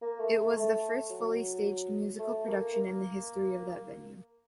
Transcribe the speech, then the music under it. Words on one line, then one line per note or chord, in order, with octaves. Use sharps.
It was the first fully staged musical production in the history of that venue.
A#3
A3
A3
A3
F#3
A3
A#3
A#3